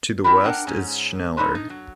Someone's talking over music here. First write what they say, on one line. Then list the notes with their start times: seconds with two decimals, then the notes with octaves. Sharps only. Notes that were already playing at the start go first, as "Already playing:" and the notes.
To the west is Schneller.
0.24 C4 E4 F4 G4 B4
0.44 D4 A#4 F#5 G5
0.67 G#2 C#4
1.37 C3 G3 D#4 A4 B4 C5
1.55 D#4
1.70 F#3